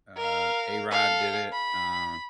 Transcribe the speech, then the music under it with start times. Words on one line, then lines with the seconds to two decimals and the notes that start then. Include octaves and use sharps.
uh, A-Rod did it, um,
0.17 A#4 F5
0.91 A4 F5
1.52 B5